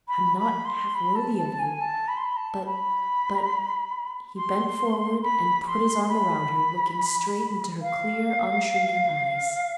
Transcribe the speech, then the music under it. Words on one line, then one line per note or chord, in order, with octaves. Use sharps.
"I'm not half worthy of you--but--but"--he bent forward and put his arm around her, looking straight into her clear, unshrinking eyes.
B5
B5
C6
B5
A5
A5
G#5
A5
B5
C6
B5
A5
B5
C6
B5
C6
C6
B5
F5